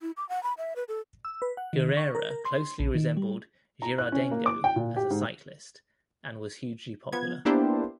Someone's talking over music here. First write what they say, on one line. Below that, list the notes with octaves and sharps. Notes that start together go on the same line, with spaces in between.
Guerra closely resembled Girardengo as a cyclist, and was hugely popular.
E4
D6
F#5
B5
E5
B4
A4
E6
B4
F#5
D#3
C#6
A#4
A#4
C6
A#1
D#3
G3
A#5
F#6
C#4
A#3
D6
G5
A#2
G4
G#2
F3 B3 G#6
A#3 B3 D4 E4 G4 C5